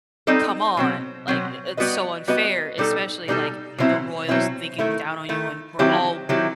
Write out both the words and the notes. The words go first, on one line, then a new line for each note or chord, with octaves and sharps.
come on, like, i it's so unfair, especially, like, h the royals thinking down on you when we're all
G3 C4 D#4 A4 D#5
B2 F#3 C4
B2 F#3 C4
G3 B3 F#4 B4 D#5
G3 B3 F#4 B4 D#5
B2 G3 D#4 A4
B2 G3 D#4 A4
B2 F#3 C4 E4
B2 F#3 C4 E4
D#3 A3 E4
D#3 A3 E4
D#3 F#3 C4 E4 G4
D#3 F#3 C4 E4 G4